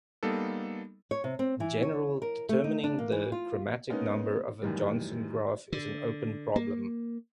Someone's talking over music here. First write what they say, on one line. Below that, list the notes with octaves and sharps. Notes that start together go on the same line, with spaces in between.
In general, determining the chromatic number of a Johnson graph is an open problem.
G3 A#3 B3 D#4 A4
C#5
C3
C4
E3
C#5
A#4
A3
D#4
D4
A#3
E3
F4
G#3 A#3 B3 C#4 D#4
F#2 A2 D#3 E3 G3
D3
A#3